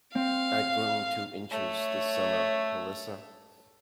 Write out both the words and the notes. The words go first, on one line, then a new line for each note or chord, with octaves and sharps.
I’ve grown two inches this summer, Melissa.
C4 F5
A3 C#5